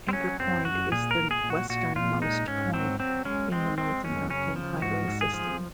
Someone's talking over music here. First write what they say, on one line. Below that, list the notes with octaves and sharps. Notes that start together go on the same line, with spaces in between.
Anchor Point is the westernmost point in the North American highway system.
C4
F#3 C#4
F#2 C4
F#2 F#4
A#2 G#4
A#4
A#2
G#4
A#2
F#4
A#2 F#4
A#2 F4
G#3 D#4
G#2 C#4
F#3 C4
F#3 C4
G#3 C#4
G#3 C4
G#3 C4
F#2 C#4
C#3 C#4
F3
G#2 F#4
G#2
G#4
F3